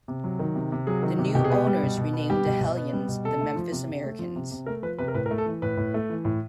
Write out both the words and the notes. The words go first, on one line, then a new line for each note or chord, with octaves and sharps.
The new owners renamed the Hellions the Memphis Americans.
C3
F#3
D#3
C3
C3
F#3 G#4
D#3
C3
B2 G4
G#4
B3 G4
G3
B2
B2
B3
G3 G4
B2
B2
B3
G3
B2
C3 A4
A3
F3
C3
C3
A3
F3
C3
C3
A3 A#4
F3 B4
C3 B4
A#4
A2 B4
A#4
A3
A4
E3
A2 B4
A2
A3
E3
A2